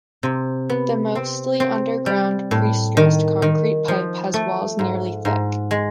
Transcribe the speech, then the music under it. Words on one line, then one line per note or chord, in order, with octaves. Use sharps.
The mostly underground, pre-stressed concrete pipe has walls nearly thick.
C3
B3
C4
C4
G3
A2
D#3
D#3
F3
A3
G#2
G#2
G#3